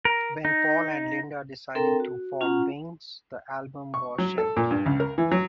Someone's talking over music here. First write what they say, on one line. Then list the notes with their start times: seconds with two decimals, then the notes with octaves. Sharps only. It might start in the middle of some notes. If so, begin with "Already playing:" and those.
When Paul and Linda decided to form Wings the album was shelved.
0.05 A#4
0.45 D#4
1.75 C4 D4 A4 A#4 G5 A#5
2.00 F#4
2.41 C#4 F4 F#5 A#5
3.94 C#6
4.18 F#3
4.38 A4
4.57 A#2
4.71 G2
4.86 C#2
5.00 A#4
5.18 E3
5.31 F#3